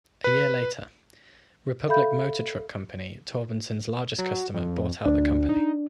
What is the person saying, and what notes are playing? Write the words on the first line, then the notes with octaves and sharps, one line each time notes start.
A year later, Republic Motor Truck Company, Torbensen's largest customer bought out the company.
B4
A4 E5 F5 B5 G6
F#3
F2
D2 D4
D#4